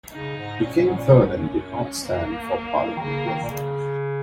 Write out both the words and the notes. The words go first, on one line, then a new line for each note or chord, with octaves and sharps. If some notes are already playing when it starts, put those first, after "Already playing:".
He came third and did not stand for parliament again.
C#3 D#4
G#2
A#2 C#4
A#2
G#2
A#2
G#2
G#2
F#2
C#4
A#3
D#3
C#3 A#3
D#3
A#2
C#3